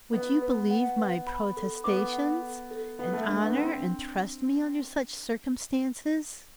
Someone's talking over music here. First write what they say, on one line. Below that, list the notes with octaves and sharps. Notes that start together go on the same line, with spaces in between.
Would you believe my protestations, and honour and trust me under such circumstances?'
B3 F#5
B4
F#5
B4
B5
A4
B3 D6
F#5
A4
A4
B3 F#4
A3
A3 D4
B3
C4 C5